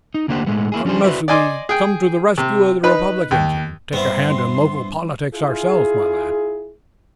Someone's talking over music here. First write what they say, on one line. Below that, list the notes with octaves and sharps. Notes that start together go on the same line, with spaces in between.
"Unless we come to the rescue of the Republicans and take a hand in local politics ourselves, my lad."
D#4
D2 A#3 D4 G4 C5 F#5
A2 G#3 A3 B3
A#3 E4 G#4
F3 C#4 D4 G#4 C5
E4 F#4 B4 C5 D5 E5
D5 D#5 G#5 C6 D6
G#4 G5
C3
D#4 B4 B5 F#6
D#2
G2 B3 C4 E4 C6
E4 F4 G#4